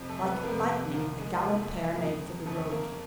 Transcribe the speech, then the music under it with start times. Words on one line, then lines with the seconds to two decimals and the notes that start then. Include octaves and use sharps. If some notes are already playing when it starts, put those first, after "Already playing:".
Like lightning the gallant pair made for the road.
Already playing: F2 C3 F3
0.08 A3 A4
0.25 B3 B4
0.43 F2 C3 F3 A#3 A#4
0.93 C2 A#2 F3 A#3 A#4
1.20 G#3 G#4
1.44 C2 A#2 F3 A3 A4
1.95 F2 C#3 F3 A#3 A#4
2.46 F2 C#3 F3 A3 A4
2.71 A#3 A#4